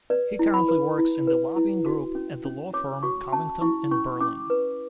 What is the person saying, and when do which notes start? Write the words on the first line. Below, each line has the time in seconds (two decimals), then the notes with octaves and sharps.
He currently works in the lobbying group at the law firm Covington and Burling.
0.10 B4 D5
0.39 E4
0.54 B5
0.69 B4
0.98 E4
1.27 B4
1.56 E4
1.86 F#4
2.15 C#4
2.45 C#4
2.74 C#5 D6
3.03 F#4 C#6
3.33 C#4 A5
3.61 E4 C#6
3.91 C#4 C#6
4.21 C#4 D6
4.50 B4